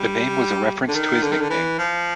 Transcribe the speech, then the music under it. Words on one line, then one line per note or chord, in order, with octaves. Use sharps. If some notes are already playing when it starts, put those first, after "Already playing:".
The name was a reference to his nickname.
Already playing: G3
D3
D#3
D3
D#3
D3
E3
F3